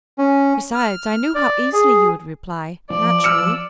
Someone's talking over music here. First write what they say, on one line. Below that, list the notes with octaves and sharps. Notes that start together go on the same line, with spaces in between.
Besides, I knew how easily you would reply--naturally.
C#4
F6
D5
G#4
F3 D5
E6 F6 C#7